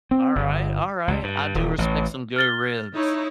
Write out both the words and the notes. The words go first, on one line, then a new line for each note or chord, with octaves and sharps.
Alright, alright, I do respect some good ribs.
C4
G1
C#2
G2
D#1
A1
F6 A6 G7
D#4 E4 C#5